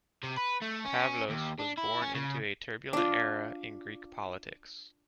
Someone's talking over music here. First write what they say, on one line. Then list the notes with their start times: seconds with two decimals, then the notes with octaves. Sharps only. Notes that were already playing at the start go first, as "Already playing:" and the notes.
Pavlos was born into a turbulent era in Greek politics.
0.23 C3
0.37 B4
0.62 A3
0.85 C#4
1.30 D#2
1.60 D4
1.78 E4
2.02 C#4
2.14 C#3
2.93 D4 F4